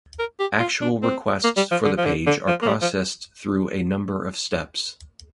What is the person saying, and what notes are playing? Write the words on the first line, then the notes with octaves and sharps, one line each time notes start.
Actual requests for the page are processed through a number of steps.
A#4
G4
F4
D4
C4
A#3
G3
F3
D3
F3
D3
D3
F3
A#3
G3
F3